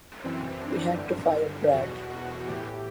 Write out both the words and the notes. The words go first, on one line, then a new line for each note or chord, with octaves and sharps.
We had to fire Brad.
F#2 E3 C4
D4
G2 D3
E2 B2 F#4
F#4
A2 E3 G4